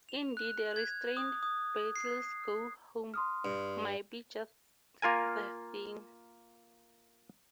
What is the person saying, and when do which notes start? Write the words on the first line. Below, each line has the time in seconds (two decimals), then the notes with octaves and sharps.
Indeed a restrained 'Beatles go home' might be just the thing.
0.09 F7
0.37 F#6
0.76 G#6
1.17 D#6
1.43 D#6
1.96 C7
3.14 C6 D#6 F6
3.45 G2
5.02 A#3 F4 A#4 G#5